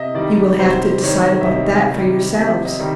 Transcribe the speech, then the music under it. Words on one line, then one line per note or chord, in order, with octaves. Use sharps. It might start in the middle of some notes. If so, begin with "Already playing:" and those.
You will have to decide about that for yourselves.
Already playing: C3 D#5 E5
D#3 G3 D5
C3 C5
D#3 G3 C#5
E5
C3 D#5
D#3 G3
C3 E5
D#5
D#3 G3